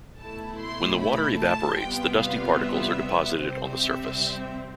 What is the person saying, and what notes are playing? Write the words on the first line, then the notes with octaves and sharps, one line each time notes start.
When the water evaporates, the dusty particles are deposited on the surface.
B2 A3 E4 A5
C6
B5
A5
C3 G3 B3 F4 G5
F5
E5
C3 G3 C4 C5
E5